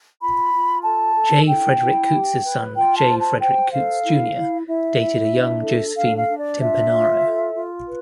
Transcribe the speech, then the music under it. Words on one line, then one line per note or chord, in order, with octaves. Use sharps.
J. Frederick Coots' son, J. Frederick Coots Junior dated a young Josephine Timpenaro.
F4 B5
F4
A4 A5
A4
E4 G5
E4
G4
B4
F4 G5
A5
C5
A5
C5 G5
A4 F5
E4
E4
E4 E5
E4
D4
A4
D4 F5
F5
D4
D5
F4 E5
F4
A4
F4
B4